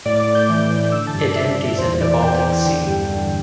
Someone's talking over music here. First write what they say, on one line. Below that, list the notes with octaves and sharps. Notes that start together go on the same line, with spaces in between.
It empties into the Baltic Sea.
A2 D5
D6
A2
G6
E3
A2
D3 E6
A5
G2
D5
G2 E5
G2
E2 C5
E3 D5
E2 G5
E2
D3
G2
D3